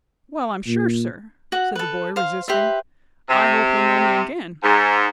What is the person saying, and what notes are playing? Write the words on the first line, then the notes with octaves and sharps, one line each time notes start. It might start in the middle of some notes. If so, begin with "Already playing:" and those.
'Well, I'm sure, sir!' said the boy, resisting; 'I hope you'll know me again.'
A#2
F#4 F#5
A4 B4
C5 F5
G4 B4 C5 E5
C3
G#2